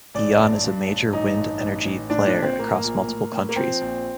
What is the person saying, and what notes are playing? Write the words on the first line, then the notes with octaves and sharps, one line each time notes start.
Eon is a major wind energy player across multiple countries.
A1 D5
G2
G2
A1
A1 D#4
G2
A1
A1
A2 D4
D4
A#1
C4
A2 A#3
A#1
A2
A2
A#3
F3 C4
A#1